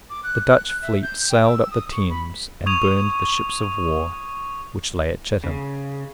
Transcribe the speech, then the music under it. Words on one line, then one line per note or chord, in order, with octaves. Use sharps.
The Dutch fleet sailed up the Thames, and burned the ships of war which lay at Chatham.
D6
F#6
F#6
E5
G6
G5
E6
D#6
C#6
B5
C#6 D#6 G#6 D#7 F7
C#3